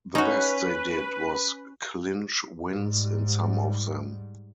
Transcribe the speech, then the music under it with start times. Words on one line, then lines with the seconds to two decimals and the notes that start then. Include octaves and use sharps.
The best they did was clinch wins in some of them.
0.15 C#4 D#4 F#4 B4
2.70 G#2 G3